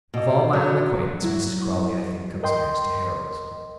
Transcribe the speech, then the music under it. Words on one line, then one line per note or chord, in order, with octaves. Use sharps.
"Of all my own acquaintance, Mrs. Crawley, I think, comes nearest to heroism."
B2
F#3
F#3 E4 F#4
A#4 D#5 G5 C6